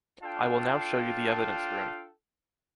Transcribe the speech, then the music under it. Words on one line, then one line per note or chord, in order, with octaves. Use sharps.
I will now show you the evidence room.
D4 F4 A4 F5 G5 A5